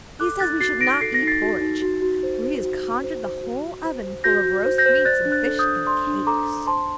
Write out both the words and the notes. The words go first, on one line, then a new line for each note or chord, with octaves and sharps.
'He says we should not eat porridge, for he has conjured the whole oven full of roast meats and fish and cakes.'
A4 D6 F#6
D#4 F#6 A6
F#4 A6 C7
D#4 A#6 D7
A4 C7
A#6
D#4
A6 C7
F#4
D#4
F#4
F#4
C5
C5
F#4
F#4
C5
C5
F#4
F#4
C5
C5
F#4 G6 A#6
F#4
C5
G6 A#6
C5
D5 F#6 A6
D4
F#6 A6
A4
D#6 G6
D4
D5 C6 D#6
D4
A4 A#5 D6
D4
C5 A5 C6